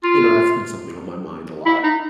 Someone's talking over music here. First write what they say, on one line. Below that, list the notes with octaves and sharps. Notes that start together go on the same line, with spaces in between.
you know, that's been something on my mind a lot.
F4
E4
D#4